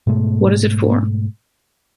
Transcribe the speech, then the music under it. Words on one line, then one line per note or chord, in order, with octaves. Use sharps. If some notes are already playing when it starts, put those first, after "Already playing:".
What is it for?
G#2 B2 G#3 A3